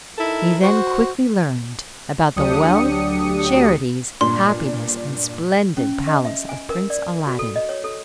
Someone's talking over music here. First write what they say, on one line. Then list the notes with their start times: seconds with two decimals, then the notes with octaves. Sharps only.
He then quickly learnt about the wealth, charities, happiness, and splendid palace of Prince Aladdin.
0.18 D#4 E4 A4 A#4
0.62 F#4 C5
2.36 D2 F#3 D4 G4 D#6 C#7
4.21 G2 A#2 C6
5.77 C#4
6.07 D#5
6.25 E5
6.49 G#5
6.70 A#4
6.90 D5
7.27 F#4
7.39 A4
7.56 D#5
7.69 C#5
7.84 A4